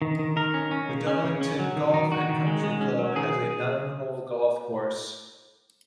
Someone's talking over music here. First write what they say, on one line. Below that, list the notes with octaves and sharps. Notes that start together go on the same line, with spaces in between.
The Darlington Golf and Country Club has a nine-hole golf course.
D#3
D#3
D#3 A#4
C#4
C#4
C#3
C#4
C#3
C#4
F#3
D#3
D#3 D#4
D#3 F#4
D#3
G#3
G#3
C#4
F#3
D#3 G#4